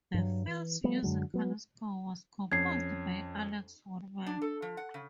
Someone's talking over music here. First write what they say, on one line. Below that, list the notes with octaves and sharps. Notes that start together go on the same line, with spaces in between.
The film's musical score was composed by Alex Wurman.
G2 F#3
E3
F3 G3 A3 B3
F#2 D3 F#3 G#3
F#3 B3
F2 C#4 G#6 C7
D4
A4
F3
F#5
C#3